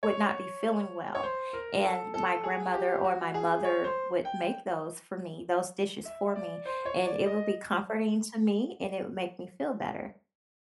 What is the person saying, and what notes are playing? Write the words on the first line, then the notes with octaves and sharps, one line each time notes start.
would not be feeling well. And my grandmother or my mother would make those for me those dishes for me, and it will be comforting to me and it would make me feel better.
C#5
C#5
C5
A#4
A4
A4
G#4
G4
F#4
G#4
C#5
C5
G5
E5
D5
C5
C#5
D5
D#5